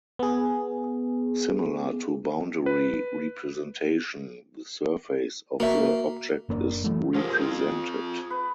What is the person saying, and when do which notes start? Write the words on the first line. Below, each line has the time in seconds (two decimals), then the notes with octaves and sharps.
Similar to boundary representation, the surface of the object is represented.
0.19 B3 G#4
2.66 B4
5.60 A#3 F#4 E5
6.49 F#1 A#3 C4 D4
6.84 E3 F#3 G#3 A3
7.14 F3 F4 G4 G#4 A#4 D#5
7.40 C4 F4
8.30 B4